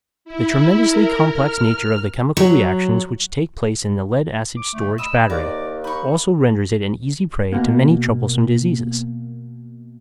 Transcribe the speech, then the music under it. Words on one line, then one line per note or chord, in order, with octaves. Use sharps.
The tremendously complex nature of the chemical reactions which take place in the lead-acid storage battery also renders it an easy prey to many troublesome diseases.
E4
A#4
F6
F#3
D6
A3
D#5 B5 E6
D#2 D5 A#5
D#4 B5 C#6
B2 A#3